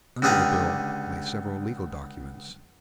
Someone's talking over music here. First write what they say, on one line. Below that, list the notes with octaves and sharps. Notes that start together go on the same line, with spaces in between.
Under the bills lay several legal documents.
C#2 D3 G4 G#4 F5 A#5